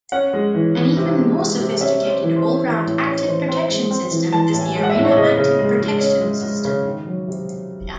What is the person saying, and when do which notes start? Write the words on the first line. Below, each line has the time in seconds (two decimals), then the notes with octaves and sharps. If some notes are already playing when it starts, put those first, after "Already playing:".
An even more sophisticated all-round active protection system is the Arena Active Protection System.
0.12 C#4 F#5
0.33 G#3
0.55 E3
0.76 E3
0.97 C3
1.18 G#3
1.38 G#3
1.59 C3
1.80 C#4 E5
2.01 C#4
2.09 C5
2.23 E3
2.36 C5
2.43 C#4
2.64 E3
2.86 A2
3.07 C#4 C#5
3.27 E3 C5
3.48 C4 C5
3.69 G#3
3.91 C4
4.11 E3
4.33 E3 A5
4.53 A2
4.61 G#5
4.75 G#3
4.83 F#5
4.90 E5
4.96 A2
5.05 C#5
5.17 C#3 D#5
5.37 C#3
5.59 G#3
5.80 G#3
6.01 C#4
6.21 G#3
6.43 G#3
6.65 C#3
6.85 D#3
7.07 F#3
7.27 C3